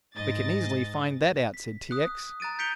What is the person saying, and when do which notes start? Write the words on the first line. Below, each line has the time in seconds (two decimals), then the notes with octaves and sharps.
"We can easily find that out," said T. X.
0.15 G#2 D#5 A6
1.54 B6
1.91 D#6 F#6
2.40 A#5 F#6 A6 D7 D#7
2.59 G6 B6 C#7 D7 F7 G7